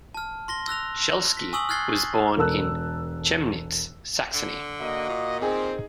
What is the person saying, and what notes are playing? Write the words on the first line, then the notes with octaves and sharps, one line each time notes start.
Schelsky was born in Chemnitz, Saxony.
A5 F6
C6 A#6 G7
E6 F#6 A#6 F7
B6
G#5 C#6 D#6 E6 F#7
F6 F#6 G#6 A6 C7 G7
E1 A4 A#4 A5 E6 F#6
D3
A#3 F#4 D#5
A#2
C4 D#4 G#4